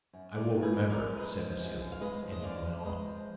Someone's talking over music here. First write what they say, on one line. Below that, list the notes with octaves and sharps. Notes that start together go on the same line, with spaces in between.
'I will remember,' said Vassili, and he went on.
F#2
G#3 A#4 D5
D#3
G#4 B4
F#2
A#4 D5
F#2
G#3 B4 D#5
F3
F#2
F#2
F5
G#3 B4 D#5
F3
D#5
F#2 D5 F5
F#2
G#3 B4 D#5
F3